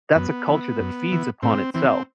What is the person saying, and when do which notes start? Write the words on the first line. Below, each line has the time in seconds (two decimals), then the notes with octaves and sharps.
that's a culture that feeds upon itself.
0.15 F#2 B3
0.48 E3
0.80 F#2
1.12 E3
1.42 A2 C4
1.74 E3 C4